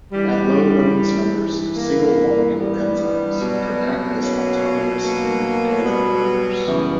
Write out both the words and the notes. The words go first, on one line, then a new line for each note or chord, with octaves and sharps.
At low Reynold's numbers, single molecule enzymes could act as autonomous nanomotors.
G2 E3 G3
A#3
G3 B3
B2 F#3
A#3 C#4
A#3
G3 B3
F#2 C#3 E3